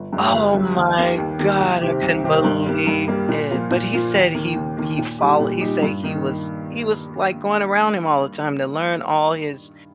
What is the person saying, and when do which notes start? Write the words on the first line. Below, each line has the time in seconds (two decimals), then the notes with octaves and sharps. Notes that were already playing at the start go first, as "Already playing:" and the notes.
Oh my god I couldn't believe it. But he said he w he follow he say he was he was, like, going around him all the time to learn all his
Already playing: G1
0.13 G2 G3
0.34 G1
0.54 G2 G3
0.76 D#2
0.97 D#3 A#3 G4
1.18 D#2
1.39 D#3 A#3 G4
1.60 C2
1.81 C3 D#3 C4 G4
2.02 C2
2.24 C3 D#3 C4 G4
2.44 G2
2.66 G3 A#3
2.87 G2
3.08 G3 A#3
3.29 A#2
3.50 F3 A#3 F4
3.71 A#2
3.92 F3 A#3 F4
4.14 D#2
4.35 D#3 A#3
4.56 D#2
4.77 D#3 A#3
4.98 A#2
5.19 G3 D#4 G4
5.40 A#2
5.61 G3 D#4 G4
5.82 G2
6.03 D#3 A#3 D#4